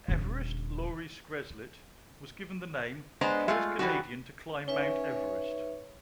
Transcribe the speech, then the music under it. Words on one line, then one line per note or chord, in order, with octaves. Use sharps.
Everest Laurie Skreslet was given the name first Canadian to climb Mount Everest.
D#1 D3
G#3 B3 D4 C5 D#5 A#5
G#3 A3 F4
E3 G3 G#3 D#4 F#4
C#4 D#4 B4 C#5 E5